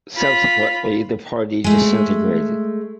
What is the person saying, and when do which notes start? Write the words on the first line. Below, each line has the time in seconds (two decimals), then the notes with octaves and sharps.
Subsequently the party disintegrated.
0.16 F4 B5
1.64 G#3 A3